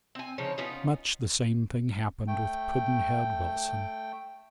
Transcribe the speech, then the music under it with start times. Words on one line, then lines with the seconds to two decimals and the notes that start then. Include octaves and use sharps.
Much the same thing happened with PUDD'NHEAD WILSON.
0.15 C4 G#5
0.38 C#3 F3 D#4 C#5
0.58 B3 C#4 D#4 F4
2.28 A3 G5